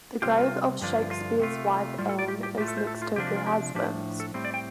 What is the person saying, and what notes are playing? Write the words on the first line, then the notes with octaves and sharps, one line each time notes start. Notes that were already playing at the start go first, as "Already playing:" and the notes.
The grave of Shakespeare's wife Anne is next to her husband's.
C3 G3 C4 F4 G4
F4
G2 D3 F3 D4 F4
F4
C3 A3 F4
A2 G3 F4
A4
D5
G4
G4
A2 A3 F4 G4
A4
C5
A4
F4
C3 F3 D4 F4 G4
G4
F4
G4
A2 F3 D4 G4
A4
A2 G3 C4
D5
G5